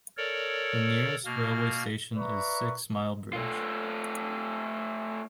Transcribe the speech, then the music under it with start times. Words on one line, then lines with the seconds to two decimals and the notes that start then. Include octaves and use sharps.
The nearest railway station is in Sixmilebridge.
0.17 A4 A#4 C#5 D5
1.25 B2 A#3 F6
2.15 B4 D5 E5 A#5 C#6
3.33 A3 F4